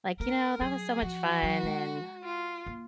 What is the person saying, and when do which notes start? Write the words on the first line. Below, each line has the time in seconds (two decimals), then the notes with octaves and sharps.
like, "You know, that was so much fun, and,
0.20 A#3 A#4
0.60 F#3 G#4
1.02 F3 F#4
1.43 F#3
1.63 G#3
2.24 F4
2.66 A#3